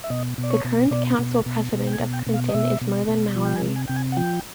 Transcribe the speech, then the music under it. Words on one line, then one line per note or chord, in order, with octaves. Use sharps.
The current council president of Clinton is Merlin Mowery.
E5
B2 D#5
B2
D5
C#5
B2
B2 D5
B2
B2
B2
G5
G#5
B2
G5
B2
F5
D#5
B2 E5
B2
B2
F3
G5
G#5
C3
G#5
C3 G5
G#5
F#5
F3 G5